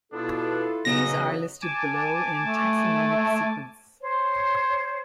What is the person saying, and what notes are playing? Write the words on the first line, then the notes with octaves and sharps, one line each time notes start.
These are listed below in taxonomic sequence.
B2 B3 D4 E4 F4 A4
C#3 F#3 B3 D#4 D#5 A#6
G#5 A5 D6
A3
C5 C#5